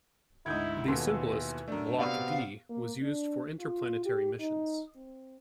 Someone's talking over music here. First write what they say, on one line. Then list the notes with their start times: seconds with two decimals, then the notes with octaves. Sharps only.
The simplest, Blok D, was used for interplanetary missions.
0.46 D2 G#2 E4 D#6 G6 G#6
0.88 D#2 B2 E3 A4 C6 E6
1.68 F#2 A3 D4
1.99 C3 B3 C4 F#4 D5 F5 B5
2.70 A#3
3.03 D4
3.60 F4
4.05 G4
4.40 D#4
4.96 C4